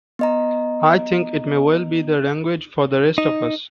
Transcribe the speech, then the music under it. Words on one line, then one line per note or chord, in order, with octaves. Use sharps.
I think it may well be the language for the rest of us.
B3 D#5 A#5
D#4